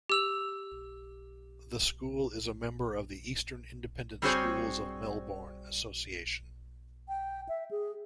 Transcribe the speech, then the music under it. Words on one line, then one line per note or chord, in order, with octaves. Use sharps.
The school is a member of the Eastern Independent Schools of Melbourne association.
G4 E6 F7
G3 C4 F#4 G#4 C5 C#5
G5
E5
G#4